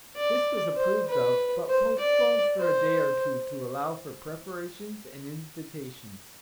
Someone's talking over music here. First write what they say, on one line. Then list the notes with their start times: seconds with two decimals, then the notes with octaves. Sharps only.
This was approved of, but postponed for a day or two to allow for preparations and invitations.
0.16 D5
0.77 C5
1.08 B4
1.69 C5
1.98 D5
2.59 C5